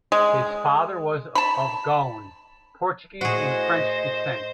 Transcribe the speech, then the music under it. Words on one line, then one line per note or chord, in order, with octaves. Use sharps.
His father was of Goan, Portuguese and French descent.
G#3
A5 B5
A2 F#4 G#4 C5 D#5